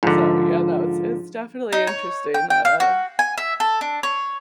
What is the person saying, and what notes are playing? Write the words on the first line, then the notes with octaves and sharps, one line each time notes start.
So, yeah, no, it's it's definitely interesting, uh,
G#2 D3 F3
D#4
C#5
G5
G5
F5
F#4
G#5
E5
A4
D4
C#5